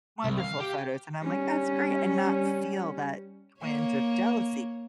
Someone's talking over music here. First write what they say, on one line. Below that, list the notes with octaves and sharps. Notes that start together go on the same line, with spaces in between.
wonderful photos, and I'm like, "That's great," and not feel that twinge of jealousy.
C2
F5
G4
G3 C#4
A#3 C#5